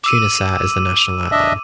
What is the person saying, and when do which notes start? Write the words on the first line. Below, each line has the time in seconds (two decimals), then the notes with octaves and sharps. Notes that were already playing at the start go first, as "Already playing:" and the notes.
Tunisair is the national airline.
0.04 D6 E6 D#7
1.32 D4 D#5 E5